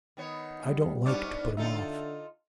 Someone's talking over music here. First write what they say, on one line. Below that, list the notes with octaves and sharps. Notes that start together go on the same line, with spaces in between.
I don't like to put him off.'
D#3 B3 C#5
G3
G#2 B3 D4 D5 C#6 F6
D3 D#4 F4 A4 E5